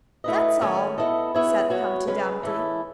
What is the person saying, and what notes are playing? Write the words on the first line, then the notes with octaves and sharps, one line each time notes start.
'That's all,' said Humpty Dumpty.
A3 E4 B4 D#5
D#3 A3 C#4 G#4
B3 E4 A4 D#5
B3 E4 G#4 C#5
F#3 B3 F#4 C#5
C#3 G#3 C#4 G#4 B4
E3 G#3 C#4 E4 A4